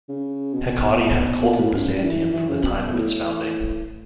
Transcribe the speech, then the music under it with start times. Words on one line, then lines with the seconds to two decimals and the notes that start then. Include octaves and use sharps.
Hecate had a cult in Byzantium from the time of its founding.
0.09 C#3
0.54 B2
1.43 B2
1.59 A2
1.74 F#2
2.04 E3
2.33 E3
2.49 C#3
2.63 B2
2.94 A2